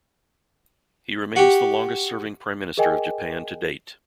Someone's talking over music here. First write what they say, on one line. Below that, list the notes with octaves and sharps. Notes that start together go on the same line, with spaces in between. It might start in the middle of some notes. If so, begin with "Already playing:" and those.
He remains the longest-serving Prime Minister of Japan to date.
F#4 G4
G#4 A#4 D#5 G5 G#5